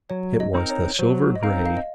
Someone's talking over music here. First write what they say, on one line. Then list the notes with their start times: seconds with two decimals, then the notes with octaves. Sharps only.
It was the "silver-gray."
0.10 F#3 C#5
0.40 D#5
0.54 C4 D#4 A#4
0.70 C#5
0.99 F#3 C5
1.35 D#5
1.43 C4 D#4 A#4 F5
1.66 F5
1.77 D#5